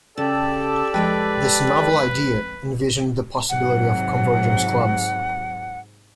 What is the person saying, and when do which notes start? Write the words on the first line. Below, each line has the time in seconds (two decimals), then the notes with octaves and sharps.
This novel idea envisioned the possibility of convergence clubs.
0.18 C#3 G4 A4 D5 E6
0.94 F2 G#3 B4 G5
3.49 G#2 C3 F#3 F#5